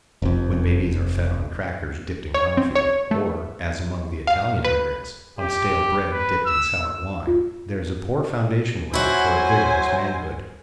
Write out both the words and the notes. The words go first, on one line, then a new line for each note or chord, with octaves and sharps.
When babies are fed on crackers dipped in coffee, or, as among the Italian immigrants, on stale bread dipped in sour wine, there is a poor foundation laid for a vigorous manhood.
F1 F2
C#5
C4
C#5
A3
F5
B4
G4
B4
E6
F4
F#3 E4 F#4 C5 G#5